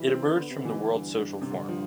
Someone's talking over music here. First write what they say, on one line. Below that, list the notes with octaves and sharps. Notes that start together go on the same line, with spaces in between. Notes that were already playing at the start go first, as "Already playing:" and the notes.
It emerged from the World Social Forum.
Already playing: E3 G3
C4
D3 B3
C3
D3
B2 E3
A2
G2
C3
D3
F3